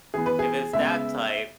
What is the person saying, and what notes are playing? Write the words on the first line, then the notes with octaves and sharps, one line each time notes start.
if it's that type,
E3 B3 G#4
B4
G#4
C#3 G#3 B3 E5